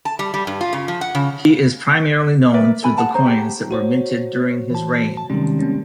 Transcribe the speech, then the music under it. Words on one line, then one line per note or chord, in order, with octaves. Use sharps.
He is primarily known through the coins that were minted during his reign.
A5
G3
G3
G2
F4
C#3
F3
F#5
C#3
A#4 B4 D5 E5
A4 D5 G#5 B5
G#4 F#5 A5
G#4 C5 C#5 A#5
G4
F#4 C5 C#5
E3 A5
A5
C3 D#3 G3 G#3 C#4
A#3 C4 C#4